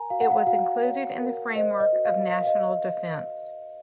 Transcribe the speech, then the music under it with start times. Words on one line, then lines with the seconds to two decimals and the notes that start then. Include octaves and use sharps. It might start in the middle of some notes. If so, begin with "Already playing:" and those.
It was included in the framework of National Defense.
Already playing: A#4 G#5 A#5
0.10 F#4 F5
0.21 F#5
0.31 F5
0.47 F#4 F5
0.84 C#5
1.20 A#4
1.56 C5 D#5
1.80 D#5
1.93 F#4
2.05 F5
2.29 F#4 F5
2.43 F5
2.47 D#5